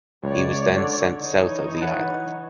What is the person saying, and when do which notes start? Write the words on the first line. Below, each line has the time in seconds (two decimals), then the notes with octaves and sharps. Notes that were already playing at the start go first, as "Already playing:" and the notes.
He was then sent South of the island.
0.24 C#2 C#5 D5
0.78 D3
1.16 E3 D#4 C#5
1.81 B4 F#5 A5